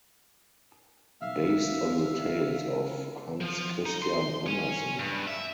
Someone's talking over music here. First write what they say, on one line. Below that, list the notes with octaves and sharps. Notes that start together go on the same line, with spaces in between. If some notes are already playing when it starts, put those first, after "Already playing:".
Based on the tales of Hans Christian Andersen.
E5 F5
F3
D#4
C6
C#5 G#5
G2
E5